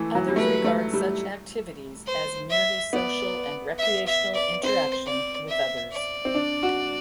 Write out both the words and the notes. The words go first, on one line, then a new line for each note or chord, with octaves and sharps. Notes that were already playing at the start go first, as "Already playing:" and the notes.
Others regard such activities as merely social and recreational interaction with others.
Already playing: E3 A3
F#3
G3
A3 B4
A3
G3
C5
E5
B3 D5
E5
E5
D5
C4 C5
D5
E5
D5
C4
D4
F#4